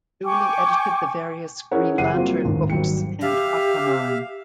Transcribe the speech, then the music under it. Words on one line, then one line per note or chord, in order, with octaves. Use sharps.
Dooley edited the various "Green Lantern" books and "Aquaman".
G5 G#5 C#6 D6
C#4 E4 G#4 A#4 C#5 F#5
F#1 E4 G4 F#5 C7 D#7
G3 A#3 C4 F4 F#4
A1 D#2 G#2
G#1 F#3 G3 G5 C#7
G4 E5 F5 F6